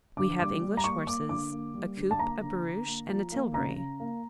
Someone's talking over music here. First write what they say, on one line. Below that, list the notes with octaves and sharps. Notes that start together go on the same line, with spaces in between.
We have English horses, a coupe, a barouche, and a tilbury.
D3 D6
G3 D6
G3
A#5
A#3 C#6
A#3 D6
D3 D6
A#3
G3
D3
A5
A#3 A#5
D3
D3
A#3
F3
A#3
C#3 A#5
C#3
A#3